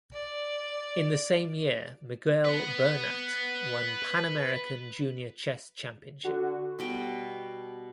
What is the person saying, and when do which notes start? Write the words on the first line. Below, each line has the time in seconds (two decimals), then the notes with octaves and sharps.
In the same year Miguel Bernat won Pan American Junior Chess Championship.
0.13 D5
2.45 B4 F#5
6.25 D3 F#4
6.79 B2 G3 G5